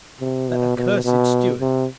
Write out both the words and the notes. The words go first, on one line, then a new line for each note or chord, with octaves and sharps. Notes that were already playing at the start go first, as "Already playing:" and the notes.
That accursed steward!
C3
B2
B2
B2
C3